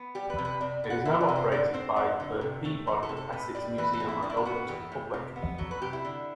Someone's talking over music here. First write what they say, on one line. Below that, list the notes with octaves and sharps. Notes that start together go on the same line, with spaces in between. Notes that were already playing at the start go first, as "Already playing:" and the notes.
It is now operated by the Peabody Essex Museum and open to the public.
Already playing: B3
G3 G4
B4
C3
B4
C3 D5
B3
F#5
E3 E5
D5
C3
C5
D3 D5
C4 C5
F#3 D5
D3
C3
A3
E3 C5
A4
C3
A4
A2 B4
G3 D5
E3 B4
A4
C4
E4
A2 D4
E4
D4
B3 F#4
E3 G4
A2
C3
B3
F#3 A4
B4
C3 G4
E4
D3